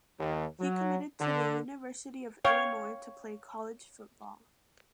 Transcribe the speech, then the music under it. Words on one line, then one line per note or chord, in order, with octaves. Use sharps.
He committed to the University of Illinois to play college football.
D#2
F#3
D3
C#5 F5 G5